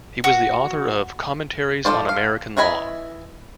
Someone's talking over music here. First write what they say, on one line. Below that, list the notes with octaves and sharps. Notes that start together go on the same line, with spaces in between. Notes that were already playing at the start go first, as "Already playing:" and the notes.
He was the author of "Commentaries on American Law".
F#4
F3 C#4 A4 C5 D5
F5
E3 E4 D#5 G#5 B5